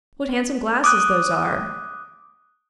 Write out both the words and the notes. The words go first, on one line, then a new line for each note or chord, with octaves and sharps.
What handsome glasses those are!
D6 D#6 F#6